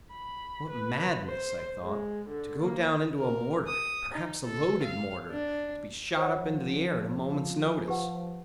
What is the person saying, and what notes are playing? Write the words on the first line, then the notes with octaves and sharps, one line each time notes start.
"What madness," I thought, "to go down into a mortar, perhaps a loaded mortar, to be shot up into the air at a moment's notice!"
B5
B4
C5
G#3
D3
A#3
A#4
D#6
D#4
A4
F5
D4
F3 C5 C#5 F#5
G4 B4 F#5